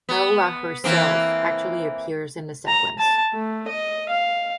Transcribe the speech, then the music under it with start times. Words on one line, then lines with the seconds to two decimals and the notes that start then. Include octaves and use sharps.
Paula herself actually appears in the sequence.
0.09 B3
0.84 E3 A#3 C4
2.68 A#5
2.99 A5
3.34 A3
3.68 D#5
4.09 F5